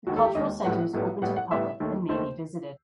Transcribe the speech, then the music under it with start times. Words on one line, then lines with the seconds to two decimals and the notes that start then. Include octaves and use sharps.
The cultural center is open to the public and may be visited.
0.07 E1 D#2 D#3 F#4
0.16 A4
0.25 G4
0.35 E1 D#2 D#3 D#5
0.64 B1 A2 G3 B3 F#5
0.93 B1 A2 G3 B3
1.22 A1 A2 G3 B3 F#5
1.36 F#5
1.51 A1 A2 G3 B3 E5
1.80 D#2 D#3 A3
2.09 D#2 D#3 A3 C5